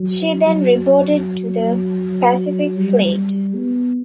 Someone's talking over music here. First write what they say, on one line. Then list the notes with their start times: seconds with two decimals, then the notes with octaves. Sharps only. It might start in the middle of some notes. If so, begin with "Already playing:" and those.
She then reported to the Pacific Fleet.
Already playing: F#3
0.46 F#3
2.77 G3
3.54 B3